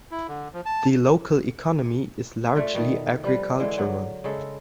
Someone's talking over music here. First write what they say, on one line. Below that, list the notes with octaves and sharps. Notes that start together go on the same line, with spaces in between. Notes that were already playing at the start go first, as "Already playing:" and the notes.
The local economy is largely agricultural.
E4
D3
F3
A5
A3 D4 F4
B2 D#3 A3 A#3
F3 G3 G4 B4
D3 E3 G#3
F#3
C#3 G#3 A4 E5